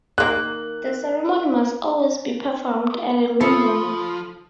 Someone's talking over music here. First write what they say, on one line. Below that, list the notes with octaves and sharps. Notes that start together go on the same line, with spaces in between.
The ceremony must always be performed at the new moon.
D#3 A#3 F#6
F3 F4 A4 B5 D#6 C#7